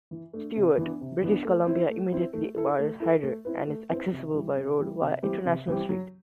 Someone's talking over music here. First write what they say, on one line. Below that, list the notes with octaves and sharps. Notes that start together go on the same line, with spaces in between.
Stewart, British Columbia immediately borders Hyder and is accessible by road via International Street.
E3
A3 D4
C3
E3 B3 D4
C3
E3 B3 D4
A3
C4 E4
A3
C4 E4
A3
E4 A4
A3
E4 A4
A3
C4 E4 B4
A3
C4 E4 B4
C3
E3 G3
C3
E3 G3
C3
E3 G3 C4 G4
C3
E3 G3 C4 G4
F#3